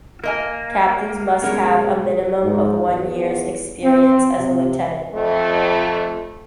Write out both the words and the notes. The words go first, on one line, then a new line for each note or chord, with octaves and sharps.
Captains must have a minimum of one year's experience as a lieutenant.
A#3 A#4 D#5 G#5
G#2 B2 G3 C#4 G#4 A#4 C#5
G#2
E2
C4
C3
F2 A3